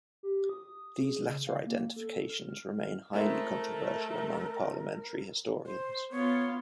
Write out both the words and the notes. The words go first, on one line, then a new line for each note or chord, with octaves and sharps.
These latter identifications remain highly controversial among parliamentary historians.
G4
D#6
G#4
C#3
F5
A#3
A4
F6
G#3 A3 C4 E4 A#4
C5
B3 F4 C#5